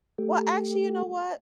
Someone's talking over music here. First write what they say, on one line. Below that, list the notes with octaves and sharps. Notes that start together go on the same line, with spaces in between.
Well, actually, you know what?
A3 G4